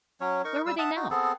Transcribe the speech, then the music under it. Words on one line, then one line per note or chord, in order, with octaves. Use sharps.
Where were they now?
F#3 C#4 C#5
D#4 A#4 C#6
G3 E6
E5 F#5 A5 D#6
D#4 F#4
B3 C4 G#4 A4